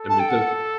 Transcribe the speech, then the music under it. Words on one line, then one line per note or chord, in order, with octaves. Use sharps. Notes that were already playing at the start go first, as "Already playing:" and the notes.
I meant the
Already playing: A4
A5
G5
F#5